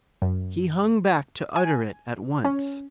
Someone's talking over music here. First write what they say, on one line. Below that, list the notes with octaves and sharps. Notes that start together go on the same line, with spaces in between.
He hung back to utter it at once.
F#2
G#5
C#4